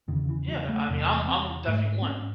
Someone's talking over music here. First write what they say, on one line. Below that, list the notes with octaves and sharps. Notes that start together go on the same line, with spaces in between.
yeah, I mean, I'm I'm definitely one.
E2 C#3 D#3
E3
F#3
A3
E2 C3
C4
G#2 A3
C4
C#4